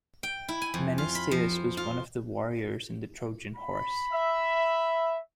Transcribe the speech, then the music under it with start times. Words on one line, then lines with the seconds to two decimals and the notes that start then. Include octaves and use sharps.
Menestheus was one of the warriors in the Trojan Horse.
0.23 G5
0.48 E4
0.62 G#5
0.74 F2
0.98 F4
1.15 B5
1.31 F3
1.77 F4
3.56 B5
4.13 E5